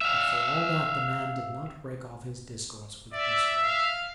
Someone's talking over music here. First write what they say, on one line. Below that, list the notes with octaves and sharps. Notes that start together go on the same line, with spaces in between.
But for all that, the man did not break off his discourse with Perceval.
E5 F5
D5 E5
F5